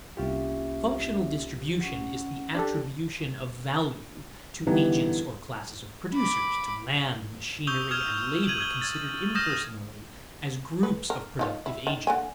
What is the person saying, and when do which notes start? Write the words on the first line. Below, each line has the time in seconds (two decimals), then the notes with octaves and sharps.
Functional distribution is the attribution of value to agents or classes of producers, to land, machinery, and labor considered impersonally as groups of productive agents.
0.17 C2 A#3 C#4 F4 G4 E5
1.79 C#4 F#5
2.55 D4 G4 A4
4.67 D3 E3 G3 B3 D#4
6.14 B5 D6
7.67 C#6 D#6 E6 G6 F7 G7
7.91 D#6 F6 G#6 E7 F7 G7
8.47 G#6 D#7 F7 F#7
8.61 G#6 G7
8.81 G#6 A6
9.35 D#6 F6 G6 A#6 E7
10.83 B4
11.10 A#4
11.39 D#4 F4 C#5
11.66 E4
11.87 D#3
12.07 D3 A#3 G#5